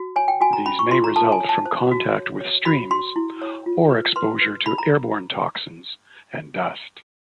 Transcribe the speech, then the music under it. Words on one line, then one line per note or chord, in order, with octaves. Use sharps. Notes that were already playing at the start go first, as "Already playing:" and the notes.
These may result from contact with streams or exposure to airborne toxins and dust.
Already playing: F#4
C#5 G#5
G5
F#4 G#5
A#5
C#4 B5
C#6
F4 C6
A#5
A4 A5
G#5
C#5
A5
C5
F#4
C#5
C#5
F#4 B5
F#4 C6
E4
C#5
F4
B4
B4 C6
B4
D#4 B5
A#5